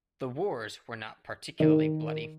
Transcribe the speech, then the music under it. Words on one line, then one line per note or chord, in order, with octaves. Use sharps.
The "wars" were not particularly bloody.
D#3